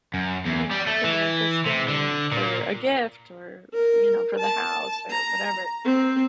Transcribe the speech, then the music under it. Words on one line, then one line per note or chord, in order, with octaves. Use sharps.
you know? Can you make this thing for a gift or, f you know, for the house or whatever."
F#2
E2
G3
A3
E3
C3
D3
A#2
A#4
A5
A#5
C4